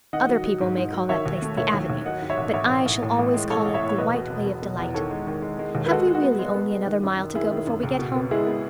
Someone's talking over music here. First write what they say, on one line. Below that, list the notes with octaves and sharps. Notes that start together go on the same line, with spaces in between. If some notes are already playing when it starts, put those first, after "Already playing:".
Other people may call that place the Avenue, but I shall always call it the White Way of Delight. Have we really only another mile to go before we get home?
D#3 D#5 F#5
F#3
F#3
G#2
G#2
F#3
D#3 C#5 E5
D#2
A3
D#2 C#5 E5
D#2
D#2
F#3 D#5 F#5
G#2
C#5 E5
A1
A1 C#5 E5
A1
A1
A2
A1
G#3
A1 A4 C#5
A1
C#5 E5
A2
C#5
E1 B4 D#5
B2
E1
B2
B2
E2
D#3 A4 C#5
G#3
D#3
G#3
G#3
D#2
B4
G#3 F#4 A4
G#3
F#4
B3
G#3
B3
G#3
D#3
F#2
D#3
D#3 E4 G#4
D#3
F#2
C#2
B2
B3
G#3 E4 G#4
B3